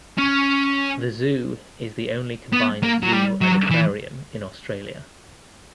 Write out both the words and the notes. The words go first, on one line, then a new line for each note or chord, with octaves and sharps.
The Zoo is the only combined zoo and aquarium in Australia.
C#4
B3
A#3
F#3
G3
F#3
E3